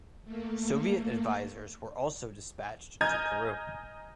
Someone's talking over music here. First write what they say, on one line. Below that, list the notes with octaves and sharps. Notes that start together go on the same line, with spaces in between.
Soviet advisors were also dispatched to Peru.
A3 A#3
D#5 G#5 A#5 F6 G6 G#6